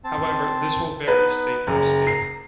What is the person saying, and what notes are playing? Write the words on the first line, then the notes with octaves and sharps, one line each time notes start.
However, this will vary state-by-state.
C4 A5
B3 D#4 B4
F#1 A#5
C7